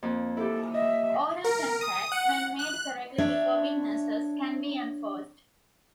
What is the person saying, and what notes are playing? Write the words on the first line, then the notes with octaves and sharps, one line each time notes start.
Oral contracts, when made correctly before witnesses, can be enforced.
F2 A#3
E4 G4 A4
D#5 E5
A#4
D#6
F#5
F#6
D4 C#5 E5